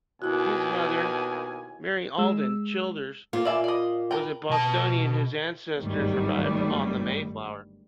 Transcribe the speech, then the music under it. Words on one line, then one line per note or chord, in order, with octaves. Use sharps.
His mother, Mary Alden Childers was a Bostonian whose ancestors arrived on the "Mayflower".
D#2 B2 E4 F#4 G#5
G#3 E6
A#2 F4
D5 E5 G#5
D5 D#5
A#4 B4 G5
B2 A5
G1 D2 G#2 D#3 F#3 G3